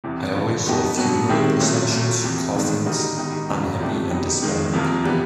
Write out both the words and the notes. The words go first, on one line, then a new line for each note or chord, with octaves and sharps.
I always saw funeral processions, coffins, unhappy and despairing people.
E2 C3 E3 G3
G2 D3 F3
B2 G3 B3 D#4 G4
B2 F#3 B3
D#3 G#3 C4 E4 G4
A#2 F#3 A3 C#4
A#2 F#3 A3
E2 C3 E3
G#2 D#3 G#3 B3 D4
D3 G3 A#3 D#4 F#4
G#2 D#3 G3 B3 D#4
E2 C#3 F#3 A#3
C3 F3 A3 D4 G4
F#3 B3 D#4 G4
G#2 D#3 G#3
E2 C3 F3 A#3
E3 G3 B3 D4